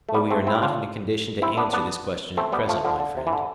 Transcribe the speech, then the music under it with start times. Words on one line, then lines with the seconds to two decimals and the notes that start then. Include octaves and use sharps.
But we are not in a condition to answer this question at present, my friend.
0.09 A3
0.14 G3 B3
0.31 A3 C4
0.47 C4 E4
0.55 G4
0.63 D4 F4
1.42 C4 E4
1.57 B3 D4
1.73 B3 D4
2.37 A3 C4
2.52 G3 B3
2.69 F3 A3
2.85 D3 F3
3.00 D3
3.17 C3
3.27 E3
3.33 D3